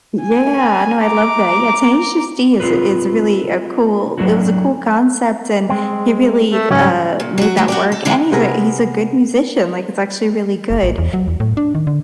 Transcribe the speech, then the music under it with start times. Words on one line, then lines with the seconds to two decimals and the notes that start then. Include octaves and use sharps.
Yeah, no, I love that. Yeah, Tenacious D is a is really a cool it was a cool concept and he really, uh, made that work and he's a he's a good musician, like, it's actually really good.
0.22 G#5
1.03 A#5 D6
2.60 C4 F4 G#4 A#4 B4
4.18 F#3 A#3 D4 E4 F#4
5.69 G#3 C4
6.53 A3
6.71 G#2 C#3 F#3 C#4
7.20 A#2
7.38 F#3 F#4
7.57 E3 F#3 G3 A3
7.68 F#4 G4 D5
7.92 A4
8.05 D3 E3 G#3 C#4 E4 G#4
8.32 C3 B3 G#4 A#4
10.70 F#1
10.83 A1
10.98 E2
11.14 F#3
11.28 E2
11.40 A2
11.57 D4
11.75 D#3
11.87 D3